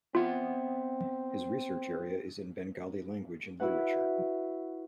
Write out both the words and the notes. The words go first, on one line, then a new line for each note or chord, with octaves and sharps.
His research area is in Bengali language and literature.
B3 C4 F4 E5 F#5
E4 F#4 B4 F#5